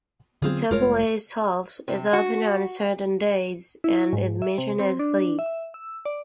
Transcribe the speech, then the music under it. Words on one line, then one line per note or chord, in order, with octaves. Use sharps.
The temple itself is open on certain days, and admission is free.
D3 F#3 B3 C4 F4 G#4
F1 G#3 A3 F4 A#4 C#5
C3
F#4
E4
G#2
E5
C3
C4
D4
E5
E6
D5